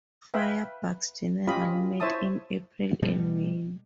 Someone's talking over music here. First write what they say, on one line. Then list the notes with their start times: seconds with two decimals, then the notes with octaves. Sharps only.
Firebugs generally mate in April and May.
0.34 B4 E5 F5 G5 B5
1.48 C#4 F4 G4 D#5 F5 B5
2.00 E4 C5 C#5 E5 A5 D#6
3.02 B2 G3 A3